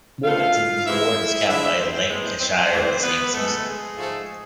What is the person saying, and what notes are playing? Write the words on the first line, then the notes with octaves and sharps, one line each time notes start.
Wilkinson was awarded his cap by Lancashire in the same season.
B2 A3 C4 F4 F5
C3 E3 G#3 E4 E5
D3 F3 G#3 D4 E4 E5
C4 C5
A2 G#3 B3
C4 C5
A2 E3 G#3 D4
B3 B4
G#2 G#3 A3 B3 A4
G#3 G#4
G#2 F3 A3